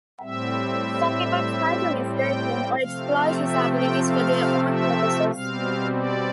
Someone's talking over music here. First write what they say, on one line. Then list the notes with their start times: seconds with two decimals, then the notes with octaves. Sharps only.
Some people try to misguide him or exploit his abilities for their own purposes.
0.20 A2 G3 C4 E5
2.12 G5
2.76 C3 F3 A3 C4 F5
3.40 E5
3.71 G5
4.03 F5
4.67 E5
5.31 B2 G3 C4 F5
5.95 D5